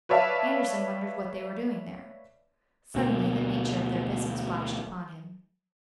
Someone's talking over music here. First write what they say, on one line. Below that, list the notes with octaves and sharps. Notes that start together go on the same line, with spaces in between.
Andersen wondered what they were doing there Suddenly the nature of their business flashed upon him.
B4 C#5 D5 E5 F5 A5
D2 B2 A#3